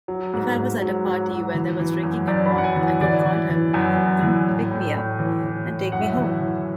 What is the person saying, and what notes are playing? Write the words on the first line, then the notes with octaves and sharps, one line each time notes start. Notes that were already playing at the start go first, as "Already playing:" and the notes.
If I was at a party where there was drinking involved, I could call him and he would come pick me up and take me home.
F#3
G#2
G#2
F#3
F#3
F#3
E3
E3
F#2
F#2 D5
B5
F#2
F#5
G#5
E3
F#5
E3 D5
E3
E3
F#2 G#5
F#2
E3
A2
A2
A2
E3
E3
A2
F#2 F#5
E5
F#5
E3
E3